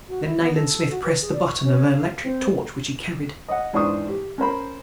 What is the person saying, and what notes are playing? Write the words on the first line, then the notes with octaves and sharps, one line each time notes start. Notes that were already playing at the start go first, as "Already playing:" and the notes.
Then Nayland Smith pressed the button of an electric torch which he carried.
F#4
E4
B3
A4
F#4
B4
G#4
D5
C#6
C#4
F5
C4
D#5 F#5
E2 G#2 D4 C5 C#6 D#6
G4
C#4 A#4 C5 B5